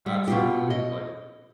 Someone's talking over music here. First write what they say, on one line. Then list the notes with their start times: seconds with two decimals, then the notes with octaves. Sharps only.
absolutely like
0.06 G3
0.28 B2 F4 G4
0.70 D#5